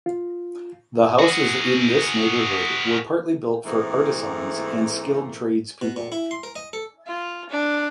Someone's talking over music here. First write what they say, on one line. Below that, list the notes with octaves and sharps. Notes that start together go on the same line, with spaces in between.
The houses in this neighborhood were partly built for artisans and skilled tradespeople.
F4
F#4 G#4
G#2 E3 A3 A#3 C4
B2
A#2
E4
C6
A#4
D#5
A4
F4
D4